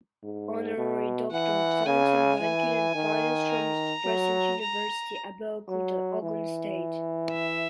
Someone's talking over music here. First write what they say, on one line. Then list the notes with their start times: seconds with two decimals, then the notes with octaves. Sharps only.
Honorary Doctor of Science in Banking and Finance from Crescent University, Abeokuta, Ogun State.
0.23 G#2
0.78 B2
1.31 E3 F#5
1.86 C#3 G#5
2.41 E3 G#5
2.95 D#3
3.50 A#5
4.05 F#3
4.60 A#5
5.68 F#3
6.22 E3
7.32 E5